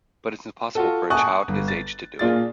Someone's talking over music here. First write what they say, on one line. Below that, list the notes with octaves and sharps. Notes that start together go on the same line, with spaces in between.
But it's impossible for a child his age to do it.
F4 F#4 A4
F#5 G#5 A5 C#6 D#6 F#6
G1
A6
A#2 A#3 D4 F4 G#4 A6